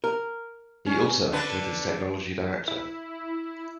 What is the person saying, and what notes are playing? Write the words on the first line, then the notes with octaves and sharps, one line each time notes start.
He also acted as technology director.
A#4
C#4
D3 D4 B4
E4